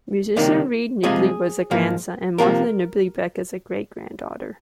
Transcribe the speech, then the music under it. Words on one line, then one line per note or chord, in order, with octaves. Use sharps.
Musician Reid Nibley was a grandson, and Martha Nibley Beck is a great-granddaughter.
C#2 C3 D#3 G3 A#3
C2 C3 F3 G#3 G#4
G#2 F3 A#3
C3 F3 A#3 A#4